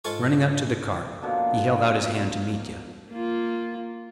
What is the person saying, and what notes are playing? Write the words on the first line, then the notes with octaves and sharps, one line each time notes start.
Running up to the cart he held out his hand to Mitya.
G#2 F4 A4 G#5 C#6
B2 D3 F3 A#3
A#3 F4